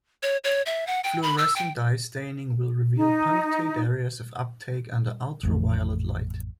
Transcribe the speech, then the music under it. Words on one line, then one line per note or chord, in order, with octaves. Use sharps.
Fluorescein dye staining will reveal punctate areas of uptake under ultraviolet light.
C#5
C#5
E5
F#5
G5
B5
E6
G5
D#4
A1 F2 A3